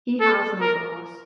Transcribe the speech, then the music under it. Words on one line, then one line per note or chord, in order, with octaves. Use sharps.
He has no boss.
A4
A#4